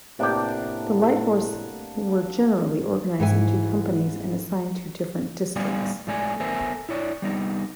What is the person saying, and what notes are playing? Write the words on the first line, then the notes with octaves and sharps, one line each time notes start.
The Lighthorse were generally organized into companies and assigned to different districts.
A2 C3 A#3 B3 D4 G4
G#2 E3 E4 G#5
A2 G3 B3 D5 F5 G#5
A2 G#3 A3 D5 G5 G#5
B3 A4 A#4 C5 E5 G#5
E4 C#5 D5
G3 B3 D#4